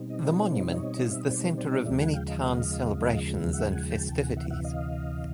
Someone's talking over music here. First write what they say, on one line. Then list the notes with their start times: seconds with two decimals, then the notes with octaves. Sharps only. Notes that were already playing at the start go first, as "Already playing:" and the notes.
The Monument is the center of many town celebrations and festivities.
Already playing: B2 G3 C4 D#4
0.10 D#5
0.19 C5 D5
0.33 C#5 D#5
0.46 C5 D5
0.60 C#5 D#5
0.70 E5
0.74 C#5 D#5
1.03 F5
1.12 E5
1.21 D#5
1.30 C5 D5
1.44 B4 C#5
1.58 C5 D5
1.72 C#5 D#5
1.86 D#2 C#3 F3 G#3 D5 E5
2.00 F#5 G#5
2.14 F5 G5
2.28 D#5 F5
2.41 D#5 F5
3.53 E5 F#5
3.72 F#5 G#5
3.90 G5 A5
4.09 D2 C3 E3 G5 A5
4.23 F#5 G#5
4.37 E5 F#5
4.50 E5 F#5
4.64 D#5 F5